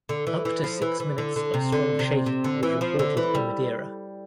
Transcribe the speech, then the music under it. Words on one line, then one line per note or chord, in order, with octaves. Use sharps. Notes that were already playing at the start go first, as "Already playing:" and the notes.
Up to six minutes of strong shaking was reported in Madeira.
D3
E3
E3
F3
E3
E3
D3
D3
C3
D3
C3
C3
D3
E3
F3
D3
E3
G3